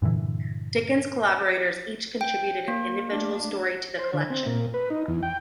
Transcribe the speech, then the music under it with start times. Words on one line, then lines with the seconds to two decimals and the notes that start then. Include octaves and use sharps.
Dickens's collaborators each contributed an individual story to the collection.
0.02 G2 A#2 D3 E3
2.21 G5
2.68 A#3
3.09 A3 D4
3.99 C5
4.13 D3
4.30 C4
4.46 A#2
4.74 B4
4.90 D#4
5.08 E2
5.23 G5